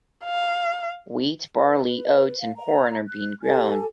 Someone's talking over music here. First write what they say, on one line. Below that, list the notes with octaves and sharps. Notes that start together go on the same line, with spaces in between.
Wheat, barley, oats and corn are being grown.
F5
B4
F5
A#5
F#6
G4 A4 G#5